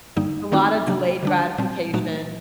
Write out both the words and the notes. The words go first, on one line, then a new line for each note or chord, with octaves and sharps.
A lotta delayed gratification.
G2 D3 G3 A#3 D#4
D#3 A3 C4 D#4 F#4
C3 F#3 A#3 D4
D3 G3 D4
A#2 G3 C4
A#2 F#3 A3 D#4 F#4